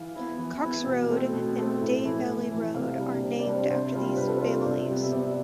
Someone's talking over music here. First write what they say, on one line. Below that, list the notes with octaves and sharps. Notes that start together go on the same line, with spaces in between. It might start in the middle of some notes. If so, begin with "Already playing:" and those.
Cox Road and Day Valley Road are named after these families.
Already playing: E3 F5
B3 E4
E3
B3 E4
B2
A3 C4
B2
A3 C4
A2
E3 A3 E4
A2
E3 A3 E4
C3 F5
G3 D4
C3
D5
G3 D4
C5
C3 C5
G3 D4 F4
C3 B4
A4
B4
G3 D4 F4
C3 D5
G3 B3
E5
C3 D5